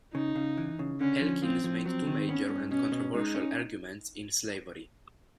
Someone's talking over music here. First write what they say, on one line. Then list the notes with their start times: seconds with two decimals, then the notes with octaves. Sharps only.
Elkins made two major, and controversial, arguments in "Slavery".
0.14 C#3 D#4
0.35 C#3
0.58 E3
0.79 C#3
1.01 D3 C#4
1.21 F3
1.42 F3 C4
1.64 F3
1.86 F#3 C4
2.07 D#3
2.28 B3 C#4
2.50 G2
2.71 B2 C#4
2.92 B2
3.14 G#3 D#4
3.34 C#4